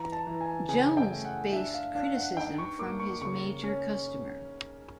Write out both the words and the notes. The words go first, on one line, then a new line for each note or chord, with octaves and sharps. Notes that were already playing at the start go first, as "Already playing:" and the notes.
Jones faced criticism from his major customer.
Already playing: E3 A#5
A5
E3
G#5
C#3 G#5
G5
A3
F#5
D4 E5
F5
D4 F5
F#5
D#4 G5
C#6
A#3 D6
C#6
C#3 C#6
C#4